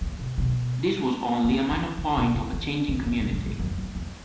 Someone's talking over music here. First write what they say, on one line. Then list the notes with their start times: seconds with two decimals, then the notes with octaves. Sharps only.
This was only a minor point of a changing community.
0.01 A#3
0.19 B2
0.38 B2
1.44 C#3
1.71 D#3
1.98 C#3
2.17 B2
2.34 C#3
2.53 D#3
2.88 D#3
3.06 C#3
3.20 B2
3.33 G#2
3.46 G#2
3.59 F#2
3.78 F#2
3.95 F2